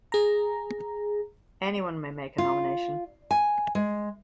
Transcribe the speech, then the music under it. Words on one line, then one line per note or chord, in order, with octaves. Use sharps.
Anyone may make a nomination.
G#4 A#5
F4
G#5
G#3